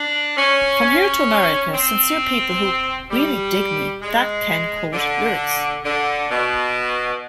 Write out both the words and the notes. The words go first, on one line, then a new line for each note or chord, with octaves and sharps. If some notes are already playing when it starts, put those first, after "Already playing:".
From here to America, sincere people who really dig me, that can quote lyrics.
Already playing: D4
C#4
C#4
C4
G3
G#3
D3
D3
B2